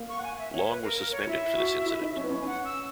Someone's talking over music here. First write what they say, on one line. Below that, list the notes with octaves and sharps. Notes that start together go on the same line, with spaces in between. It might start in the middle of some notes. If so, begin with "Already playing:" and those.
Long was suspended for this incident.
Already playing: A#3
C#6
F#5
G#5
E5
C#5
B4
A#4
A#4
C#5
E4 E5
F#4
E4
D#4
C#4
B3
C#4
G#5
F#5
E6